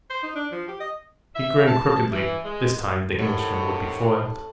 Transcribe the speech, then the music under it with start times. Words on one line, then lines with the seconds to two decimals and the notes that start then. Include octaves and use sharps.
He grinned crookedly; this time the Englishman would be foiled.
0.10 C5
0.23 D#4
0.35 D4
0.52 F3
0.68 G4
0.80 D#5
1.35 E5
1.67 A5
2.11 E3
2.44 G#3
3.19 A2 C3 D#3 D#4 E4 C#5 F#5